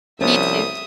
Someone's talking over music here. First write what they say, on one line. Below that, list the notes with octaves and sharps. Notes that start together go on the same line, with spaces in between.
Me too.
C2 F3 C#4 E5 D#6